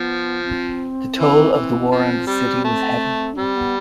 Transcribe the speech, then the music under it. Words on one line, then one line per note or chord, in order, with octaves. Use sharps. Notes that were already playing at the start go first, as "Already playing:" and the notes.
The toll of the war on the city was heavy.
Already playing: F3 B3
C4
E3
E3
F3 C4
G3
A3
D4
G3 C4
B3